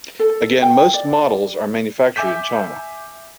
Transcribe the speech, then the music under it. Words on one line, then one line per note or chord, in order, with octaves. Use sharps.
Again, most models are manufactured in China.
A4
G5
D5
E5 G#5 D6 G6 B6